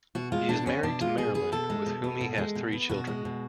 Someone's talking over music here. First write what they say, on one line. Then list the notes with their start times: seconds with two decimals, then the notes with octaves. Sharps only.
He is married to Marilyn, with whom he has three children.
0.15 B2 F#4
0.32 G#3 F4
0.49 B2 D4
0.66 B3 C#4
0.83 B2 D4
1.00 G#3 F4
1.17 B2 G#4
1.35 B3 G#4
1.52 B2 A4
1.70 G#3
1.86 B2
2.04 B3
2.21 B2
2.38 G#3
2.55 B2
2.73 B3
2.89 B2 F#4
3.07 G#3
3.25 B2